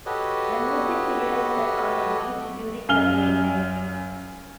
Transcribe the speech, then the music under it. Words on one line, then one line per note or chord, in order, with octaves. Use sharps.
The music video is set on the beach during the late night.
F#4 G4 A4 B4 C#5 D#5
F#2 F5 G#5 F6 G7